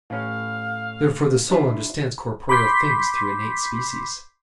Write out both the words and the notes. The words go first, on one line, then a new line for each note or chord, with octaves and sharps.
Therefore the soul understands corporeal things through innate species.
A2 C#4 F5
D4 E4 F4
B5 C6 D6 G6 B6 C7